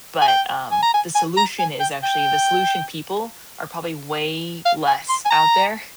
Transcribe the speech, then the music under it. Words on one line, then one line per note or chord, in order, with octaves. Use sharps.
but, um, the solution is actually the solution people are probably way less out there
G#5
G5
G#5
A#5
G#5
G#5
A#5
G#5
G5
G5
F5
G#5
C6
G#5
A#5